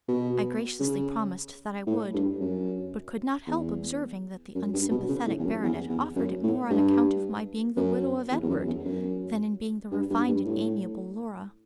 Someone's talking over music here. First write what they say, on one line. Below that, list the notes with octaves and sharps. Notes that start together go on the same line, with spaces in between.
I graciously promised that I would, but could not help observing that the unsimpathetic Baronet offered it more on account of my being the Widow of Edward than in being the refined and amiable Laura.
B2
C#3
A2
G2
F#2
E2
F#2
G2
B2
C#3
A2
E2
F#2
E2
E2
F#2
A2
G2
F#2
E2
E2
F#2
E2
F#2
G2
G2
G2
A2